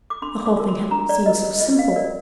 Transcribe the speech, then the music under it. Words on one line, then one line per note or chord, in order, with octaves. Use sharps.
The whole thing had seemed so simple.
D6
D4 C6
D6
F4 A#4
C6
D4 A#5
D5
F4 A#4 D#5
F4 D#5
F5
A#4 D5